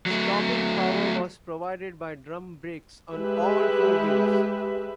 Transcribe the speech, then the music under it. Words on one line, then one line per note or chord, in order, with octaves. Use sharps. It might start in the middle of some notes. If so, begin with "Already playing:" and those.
Stopping power was provided by drum brakes on all four wheels.
F#3 A3
G#3 G4 B4 E5